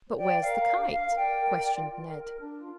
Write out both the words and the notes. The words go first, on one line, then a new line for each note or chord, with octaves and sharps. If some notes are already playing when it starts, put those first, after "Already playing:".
"But where's the kite?" questioned Ned.
C5
D5 G5
C5
A#4 F5
A#4
D4
D4 F5
A#4
D5 G5
A#4
A#4
A#4
F4
F4
A#4
A#4
D4
F4